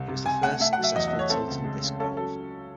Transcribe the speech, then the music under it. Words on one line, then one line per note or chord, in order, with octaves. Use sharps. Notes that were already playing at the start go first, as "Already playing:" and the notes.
It was the first successful tilting-disc valve.
Already playing: C2
C3
C3 G#5
A3 F#5
A3 E5
F#5
F#3
E5
E2 D#5
D#5
A3
C#5
C4 A4
C#2
G#3
C#3
C#4 A4
F#3 A4